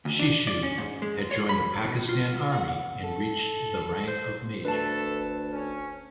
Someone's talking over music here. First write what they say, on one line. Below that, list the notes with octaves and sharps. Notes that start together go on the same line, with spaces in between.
Shishu had joined the Pakistan Army and reached the rank of Major.
D2
D4
D5
C#4
G#2
G#3
C#5
B5
B2
F4
F#5
A4
C5
D2 A3 A4 B4 A5
C#4